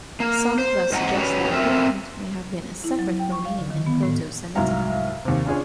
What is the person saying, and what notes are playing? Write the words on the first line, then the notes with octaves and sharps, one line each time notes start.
Some thus suggest that weakened may have been a separate phoneme in Proto-Semitic.
A#3
C5
G#2 C4 D#5 F#5 G#5 A#5
C#4 F#4 G4 B4 C#5
F2 A3 C4 A#4 E5
E4
F#3
G5
C#6
F5
D3
D#3
B3
A2
C2 G#2 F#3 F5 A#5
D#2 C3
C#4 D4 F4 G#4 C#5